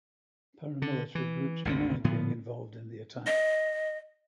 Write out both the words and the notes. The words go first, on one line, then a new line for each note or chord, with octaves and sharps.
Paramilitary groups denied being involved in the attack.
D3
E3
G#1 D2 D3
A2 D3 F3 B3
D#5